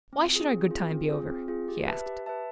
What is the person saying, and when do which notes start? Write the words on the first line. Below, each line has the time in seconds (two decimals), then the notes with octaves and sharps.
"Why should our good time be over?" he asked.
0.13 C4
0.32 F4 G#4
0.52 C4
0.71 F4 G#4
0.91 C4
1.10 F4 G#4
1.30 C4
1.48 F4 G#4
1.68 G4
1.87 B4 E5 A5
2.06 G4
2.26 B4 E5 A5